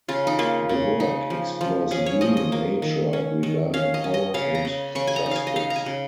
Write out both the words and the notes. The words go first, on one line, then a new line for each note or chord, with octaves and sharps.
The work explores human nature regarding power and justice.
C#3 F4
D#4
A#3 F4
C#3
D#4
F3
F3
C#4 G#4
C#5
F3 D#5
D#5
A#3
D#3
C#4
D#3
C#4 F5
D#5
C#4
D#5
C#3 F5
A#5
C#3
C#3 C#6
G#5
A#5
D#4
F5 G#5
D#5
D#4 F5
A#5
G#5
C#3